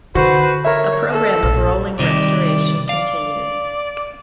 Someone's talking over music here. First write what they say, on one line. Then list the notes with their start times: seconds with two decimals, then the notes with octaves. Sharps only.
A programme of rolling restoration continues.
0.15 D3 F#4 B4 C5
0.65 A#4 C#5 E5
1.10 A4
1.43 A#1
1.99 C3 D#3 G3 D5
2.89 D5 F5